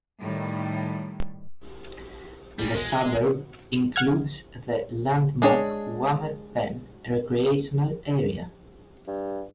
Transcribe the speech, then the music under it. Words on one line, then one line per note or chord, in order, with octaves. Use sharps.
The suburb includes the landmark Wemmer Pan recreational area.
A2 D#3 G3
C#3 G3 A#3 C#4
B1 E2 G#3
D#3
B2 G3
F#5 F6 G#6
G#3 D4 G#4 C#5
G2